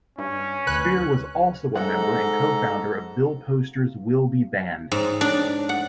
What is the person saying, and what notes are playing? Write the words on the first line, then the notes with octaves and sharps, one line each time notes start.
Spear was also a member and co-founder of Bill Posters Will Be Band.
G2 C#4
D2 B4 F#6
G#2 A4 F#5 A#5
G#2
D4
F#5